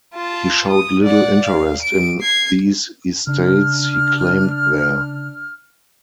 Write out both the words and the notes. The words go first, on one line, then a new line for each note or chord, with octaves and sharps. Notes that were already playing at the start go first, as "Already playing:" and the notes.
He showed little interest in these estates he claimed there.
F4 A5
D#6
D5 F#5
F5
D7
G#6 C7
C#3 D4 F6